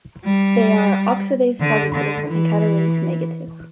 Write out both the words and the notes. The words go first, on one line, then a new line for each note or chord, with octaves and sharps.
They are oxidase positive and catalase negative.
G3
D3
D3
E3